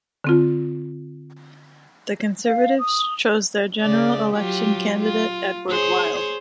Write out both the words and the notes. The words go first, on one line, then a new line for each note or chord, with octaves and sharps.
The Conservatives chose their general election candidate Edward Wild.
D3 C4 F4
F5
D#6
C#3 D5
F#3 F4 G4
F4
G#4 C5 C#5